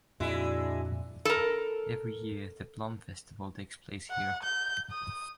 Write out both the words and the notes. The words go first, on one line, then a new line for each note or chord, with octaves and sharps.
Every year, the "Plum Festival" takes place here.
F2 A#2 G#3 D4 E4 F#4 D5
A4 A#4
F#5
G6
D#6